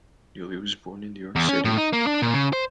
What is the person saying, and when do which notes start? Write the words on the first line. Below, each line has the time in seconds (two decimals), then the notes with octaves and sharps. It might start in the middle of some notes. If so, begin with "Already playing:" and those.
Newley was born in New York City.
1.35 E2
1.49 C#4
1.65 A2
1.78 D#4
1.93 A#3
2.07 D4
2.22 A#2
2.34 C#3
2.53 C5